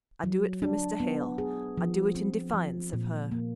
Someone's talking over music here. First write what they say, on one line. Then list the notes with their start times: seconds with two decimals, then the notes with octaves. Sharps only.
I do it for Mr. Hale; I do it in defiance of her.'
0.24 F#3
0.62 D4
1.00 B3
1.38 G#4
1.78 F3
2.15 C4
2.53 F3
2.93 A#2
3.31 A#3